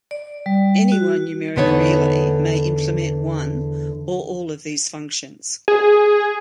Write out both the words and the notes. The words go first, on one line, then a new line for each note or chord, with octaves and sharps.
Any one numeric relay may implement one or all of these functions.
D5
G3
F#4
E2 D3 B3 D#4 C#5
G#4